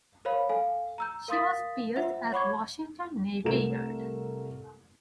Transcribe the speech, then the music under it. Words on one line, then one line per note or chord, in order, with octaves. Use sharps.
She was built at Washington Navy Yard.
A#4 C5 C#5 F5 B5
A4 F5 G#5
A#5 E6 G6
A#4 F5 C6 D#6 A6 B6
F4 C5 E5 F#5
C#5 F#5 B5 C#6 D6 G#6
C2 A3 A#4 E7